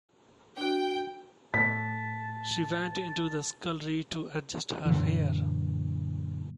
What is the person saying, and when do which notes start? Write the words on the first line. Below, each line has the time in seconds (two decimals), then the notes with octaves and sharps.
She went into the scullery to adjust her hair.
0.57 D4 F#4 G5
1.54 A2 A5 B6
4.85 F#2 A#2 D3 E3